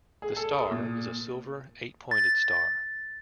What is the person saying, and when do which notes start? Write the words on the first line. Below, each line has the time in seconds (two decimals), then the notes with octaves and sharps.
The "star" is a silver, eight-pointed star.
0.22 G#4
0.37 A4
0.53 D#6
0.71 A#2
2.11 A6